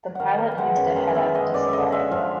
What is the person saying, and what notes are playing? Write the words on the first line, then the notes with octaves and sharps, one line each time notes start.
The pilot used a head-up display.
D#3 F5 F#5
B3
G#3 F#5
F#2
D#3 F5
B3 E5
G#3 D#5
F#2 D5
E5
D3 D#5
G#3 E5
F3 F5